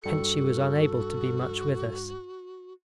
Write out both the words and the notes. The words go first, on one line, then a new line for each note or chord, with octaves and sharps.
Hence she was unable to be much with us.
G2 F#4 A4 C#7